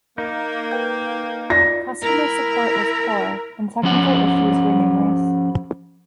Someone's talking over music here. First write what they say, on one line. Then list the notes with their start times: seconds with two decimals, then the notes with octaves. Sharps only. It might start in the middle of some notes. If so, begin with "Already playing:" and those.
Customer support was poor, and technical issues were numerous.
0.18 A#3 D#4
0.71 B4 G5 G6
1.50 F4 D5 A#6
2.02 E4 A#4
3.83 F3 C#4 F#5